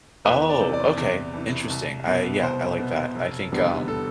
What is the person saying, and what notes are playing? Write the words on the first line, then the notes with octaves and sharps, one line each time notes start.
Oh, okay. Interesting, I yeah, I like that. I think, um
E2 B4
D5
C3 E3
D5
E2
C3 E3
C2
B2 B3
C2 C5
B2 B3
F1
E2 D3 G3 B3
A4